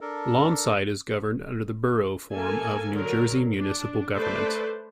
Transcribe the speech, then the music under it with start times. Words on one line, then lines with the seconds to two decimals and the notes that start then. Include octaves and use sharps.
Lawnside is governed under the Borough form of New Jersey municipal government.
0.01 D4 A4 A#4
2.33 A#3 A4 G#5
2.93 D3 F#3 A#4
3.60 D4
4.14 A3 A4 B4 C5 D5